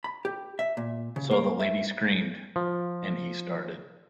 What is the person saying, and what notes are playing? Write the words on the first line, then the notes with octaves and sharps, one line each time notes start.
So the lady screamed, and he started.
B5
G4
E5
A#2
C#3
A#3
E5
F3